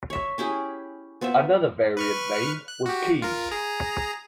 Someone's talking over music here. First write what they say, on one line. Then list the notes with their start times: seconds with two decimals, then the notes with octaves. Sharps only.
Another variant name was Keyes.
0.10 C#5 E5
0.38 C#4 E4 G4 G#4
1.21 B3 C4 F4 E5
1.97 B4 C#6 F6
2.68 F#6
2.86 F#4 G4
3.22 F4 A#4
3.52 G#4 A#5